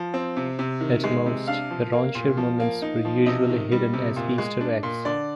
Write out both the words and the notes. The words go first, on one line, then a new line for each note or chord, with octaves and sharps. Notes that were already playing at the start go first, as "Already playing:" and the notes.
At most, the raunchier moments were usually hidden as Easter eggs.
Already playing: F3
C4
C3
C3
D#3
G#3
C3
D4 F5
F3
A#3
A#2
F3
A#3
D#4
F3
C3 D#5
D#3
G3
C3
A#2
G#3
D4
A#2
D3 D5